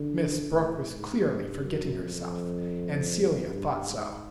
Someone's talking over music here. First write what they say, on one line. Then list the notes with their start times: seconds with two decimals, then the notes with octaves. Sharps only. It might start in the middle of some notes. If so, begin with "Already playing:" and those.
Miss Brooke was clearly forgetting herself, and Celia thought so.
Already playing: D3
0.51 A2
0.89 G#2
1.26 G2
1.63 F#2
2.01 F2
3.50 G2
3.87 G#2